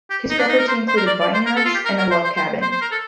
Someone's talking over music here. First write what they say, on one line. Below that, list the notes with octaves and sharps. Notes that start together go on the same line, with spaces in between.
His property included vineyards and a log cabin.
G4
D#4
D4
D#4
A#4
C5
C5
A#4
D5
D5
C5
A#4
A4
F4
G4
A#4
A#4
C5
C5
C5
C5
C5
A#4
A4